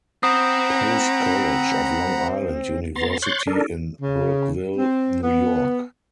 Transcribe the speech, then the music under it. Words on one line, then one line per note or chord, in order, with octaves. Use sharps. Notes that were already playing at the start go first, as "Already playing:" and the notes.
Post College of Long Island University in Brookville, New York.
C4 F#5 A#5 B5 D#6
B3 A#5 C6 A6
C#5 C6 F#6 G6 A6
D4 A4 A#4
C#3
C4
B3